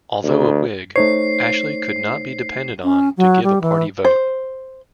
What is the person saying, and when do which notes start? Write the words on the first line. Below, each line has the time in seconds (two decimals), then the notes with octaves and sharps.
Although a Whig, Ashley could not be depended on to give a party vote.
0.23 D2
0.96 A3 D#4 C5 C#5 C7
2.82 C#4
3.17 F#3
3.43 G3
3.61 E3
4.05 C5